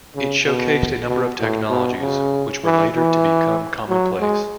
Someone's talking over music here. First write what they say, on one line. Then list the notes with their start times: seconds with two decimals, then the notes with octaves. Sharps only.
It showcased a number of technologies which were later to become commonplace.
0.15 C#3
0.45 B2
1.08 B2
1.40 A2
1.70 B2
2.01 C#3
2.64 E3
2.95 E3
3.88 F#3
4.20 G#3